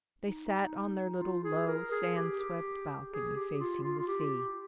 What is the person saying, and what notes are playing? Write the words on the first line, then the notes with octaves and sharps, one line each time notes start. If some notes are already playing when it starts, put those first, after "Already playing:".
They sat on their little low, sand-swept balcony, facing the sea.
D#4
D#4
F4
G#4
A#4
G#4
G4
G#4
G4
F4
F4
F4
G4